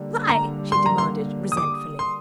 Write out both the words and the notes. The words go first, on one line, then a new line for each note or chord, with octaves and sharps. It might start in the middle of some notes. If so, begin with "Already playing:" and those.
"Why?" she demanded, resentfully.
Already playing: D3 G3 A#3
A#5
C6
A#5
C6
D#6
D6
C6